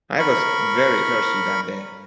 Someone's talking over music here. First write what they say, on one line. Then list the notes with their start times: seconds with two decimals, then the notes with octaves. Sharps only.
I was very thirsty that day.
0.19 A#4 B5 C#6